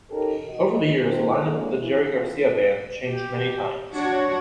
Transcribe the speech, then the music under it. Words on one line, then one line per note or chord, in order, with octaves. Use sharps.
Over the years, the lineup of the Jerry Garcia Band changed many times.
C#4 D#4 G4 A4 A#4
F#4 D#5
D#3 G#3 A3 C4
E2 D3 F#3 G#3 A#3 B3
E3
E3 B3 C4 E4 F4 A4
G4
D4 F#4 C#5